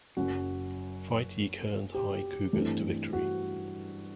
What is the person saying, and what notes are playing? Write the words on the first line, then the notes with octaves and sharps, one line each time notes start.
Fight, ye Kearns High Cougars to Victory!
F#1 F#2 F#3 F#4
G4
G2 E3 A3 C4
F#4